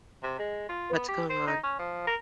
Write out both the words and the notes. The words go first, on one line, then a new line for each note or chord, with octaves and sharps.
What's going on?
C3
G#3
F4
B3
G4
C5
D#4
C#4
F3
A#4